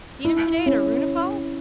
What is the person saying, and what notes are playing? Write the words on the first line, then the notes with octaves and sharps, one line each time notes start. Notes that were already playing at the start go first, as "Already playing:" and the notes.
Seen him today at a runefal?
E4
C#4